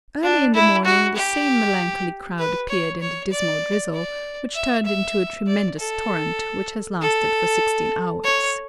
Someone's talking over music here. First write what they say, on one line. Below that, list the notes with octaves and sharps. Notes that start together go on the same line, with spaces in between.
Early in the morning the same melancholy crowd appeared in the dismal drizzle, which turned into a tremendous torrent, which has lasted for sixteen hours.
D4
E4
F#4
G4
B4
C#5
C#5
D5
D5
E5
E5
D5
A4
A4
C#5